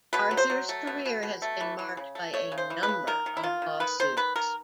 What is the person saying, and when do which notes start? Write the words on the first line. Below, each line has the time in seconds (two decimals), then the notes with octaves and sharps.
Arthur's career has been marked by a number of lawsuits.
0.13 B2 B4
0.31 F#3
0.37 C5
0.50 F#3
0.69 A3
0.87 B2
1.06 B2
1.23 B2
1.42 A3
1.61 E3
1.79 E3
1.97 C#3
2.15 A3
2.33 A3 C#5
2.52 C#3
2.58 C5
2.70 E3
2.83 B4
2.89 C#3
3.07 D#3 A#4
3.26 D#3
3.37 E4
3.43 D#3 F4
3.62 D#3
3.80 D#3 B4
4.00 D#3 C5
4.17 D#3 B4
4.36 D#3 A#4